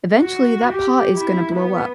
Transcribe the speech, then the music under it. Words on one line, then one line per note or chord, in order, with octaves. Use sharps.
eventually that pot is gonna blow up.
F#4
G4
E4
B3